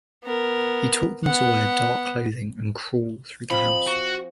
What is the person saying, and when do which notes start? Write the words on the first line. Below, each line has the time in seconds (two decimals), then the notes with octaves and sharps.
He taught them to wear dark clothing and "crawl" through the house.
0.24 B3 A#4
1.25 B3 F#5
3.50 F3 C4 D#5 B5
3.87 F#4